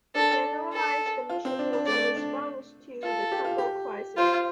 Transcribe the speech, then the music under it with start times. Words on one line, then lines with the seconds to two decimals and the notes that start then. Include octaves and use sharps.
To generalise, the mission was a response to the Congo Crisis.
0.15 D4 A4
0.73 A4
1.30 F4
1.45 C4
1.59 D4
1.73 D4
1.87 A3 D5
2.16 D4
3.03 F4 A4
3.32 G4
3.45 F4
3.58 G4
4.17 F4 C5